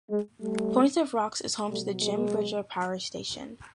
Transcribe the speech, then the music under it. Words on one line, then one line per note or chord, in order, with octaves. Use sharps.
Point of Rocks is home to the Jim Bridger Power Station.
G#3
G3 A3
B2 F#3 G3 A3
G#3